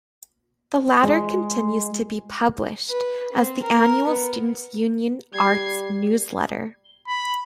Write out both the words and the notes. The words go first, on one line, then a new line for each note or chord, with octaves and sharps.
The latter continues to be published as the annual Students' Union arts newsletter.
G#3
B4
C4
A#4
B3
G3 G#6 C7
B5